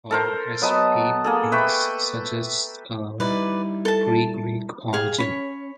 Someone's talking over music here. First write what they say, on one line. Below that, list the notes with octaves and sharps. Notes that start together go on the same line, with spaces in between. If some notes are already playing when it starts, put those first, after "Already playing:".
R. S. P. Beekes suggests a Pre-Greek origin.
A4 A#4 C5
F#3 B3 D#5 A5
A#3 G#4 A4
B4 E5 G5 C#6
G3 D#4 E4 B4 D5
A4 A5
G4 G#4 F5
C#4 C#5 B5